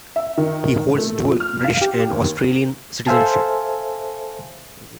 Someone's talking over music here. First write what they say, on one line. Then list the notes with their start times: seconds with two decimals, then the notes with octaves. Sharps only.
He holds dual British and Australian citizenship.
0.16 E5
0.37 D#3
0.98 A3
1.25 F3
1.40 F6
1.64 F5
1.81 G4
2.11 D#2
3.07 A4 C5 E5 F5 G#5 A5